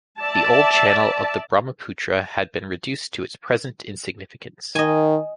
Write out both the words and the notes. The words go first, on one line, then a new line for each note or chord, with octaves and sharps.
The old channel of the Brahmaputra had been reduced to its present insignificance.
D5 E5 A5
D#3 D#5 G#5